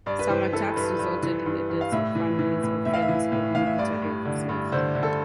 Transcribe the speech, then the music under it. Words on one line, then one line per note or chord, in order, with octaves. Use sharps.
Some attacks resulted in the deaths of the families or friends of military officers.
G2 D5
B4
E3 C5
E3 A4
G2 B4
G2
E3
G2
G2
F5
A2 E5
E3
E3
A2
A2 E5
F5
E5
E3
A2
A2 F5
E5
G2 D5
G2
D3
G2
D3 C5
D3
A4